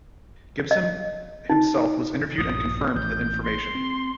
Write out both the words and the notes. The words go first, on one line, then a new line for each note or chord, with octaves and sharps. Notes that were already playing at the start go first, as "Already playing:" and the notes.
Gibson himself was interviewed and confirmed the information.
D#5
D#4
A#1 G2 D#6
A1 G6
C6
C4